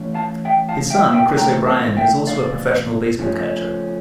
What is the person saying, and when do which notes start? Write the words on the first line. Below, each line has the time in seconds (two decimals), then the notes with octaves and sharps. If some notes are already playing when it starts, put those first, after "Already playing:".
His son, Chris O'Brien, is also a professional baseball catcher.
Already playing: E3 A3 C#4
0.14 F5 A5
0.45 E5 G5
0.69 F5 A5
0.90 E5 G5
1.13 E5 G5
1.36 E3 A3 C#4 G5 A#5
1.67 F5 A5
1.97 E5 G5
2.27 D5 F5
3.19 C#3 F3 A3 C#4